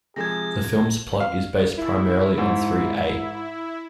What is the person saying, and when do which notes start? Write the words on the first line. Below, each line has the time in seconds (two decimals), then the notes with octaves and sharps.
The film's plot is based primarily on three A.
0.16 C3 F3 G#3 G#4 G#6 A#6
1.20 F5
1.78 E4
2.38 G#2